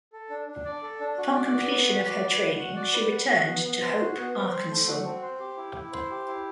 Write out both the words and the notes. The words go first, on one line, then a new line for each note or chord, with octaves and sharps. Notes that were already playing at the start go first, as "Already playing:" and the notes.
Upon completion of her training, she returned to Hope, Arkansas.
A4
D4
D4
D5
A4
D4
F#4
D5
B3
B4
F#4
D5
B4
F#5
F#4
D5
B4
F#5
F#4
B3
B3
C5
F#4
B3
C4
C5
A3
F#4
C4
C5
G4
E4
E4
C5
G4
E4